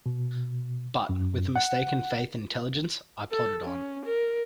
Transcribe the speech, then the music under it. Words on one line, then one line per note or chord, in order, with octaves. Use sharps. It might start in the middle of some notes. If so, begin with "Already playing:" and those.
But, with a mistaken faith in intelligence, I plodded on.
B2
F#2
F#5
A4
C#4
A#4